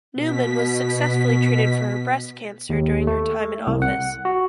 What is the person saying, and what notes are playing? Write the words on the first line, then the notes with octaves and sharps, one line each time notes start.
Newman was successfully treated for breast cancer during her time in office.
B2 B6
D#2
A3
C2
F#5
F#4